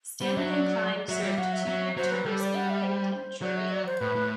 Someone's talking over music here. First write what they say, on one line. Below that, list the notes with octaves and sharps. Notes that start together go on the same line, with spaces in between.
Stanley and Kline served two year terms in the penitentiary.
G3 C5
F#3 E5
D5
F#3 E5
G3
F#3 F#5
E5
F#3
F#3 C5
B4
G3 A4
D5
F#5
E5
C5
F#3 D5
E5
D5
C5
A2 B4
A2